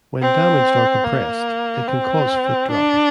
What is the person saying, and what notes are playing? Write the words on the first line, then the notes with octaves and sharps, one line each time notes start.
When damaged or compressed, it can cause foot drop.
C4
A#3
C4
D4